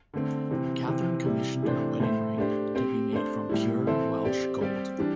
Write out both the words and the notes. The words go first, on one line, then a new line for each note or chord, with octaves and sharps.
Catherine commissioned her wedding ring to be made from pure Welsh gold.
D3 A3 C4
C3 E3 C4
C3 E3 C4
C3 G3 E4
C3 E3 A3 D4 C5
A2 A3 E4 C5 E5
A3 D4 G4 C5
C4 G4 C5
A3 D4 C5
A2 G3 E4
E3 C4 A4 C5 E5
C4 G4 D5
G3 C4 G4 D5
E3 G3 D4